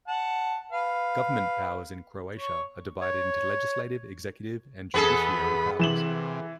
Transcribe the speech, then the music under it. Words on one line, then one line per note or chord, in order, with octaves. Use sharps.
Government powers in Croatia are divided into legislative, executive and judiciary powers.
F#5 A5
B4 F5
C#5
C#5
E2 B3 G#4 A4 B4 B5
C3 E3 E7 F#7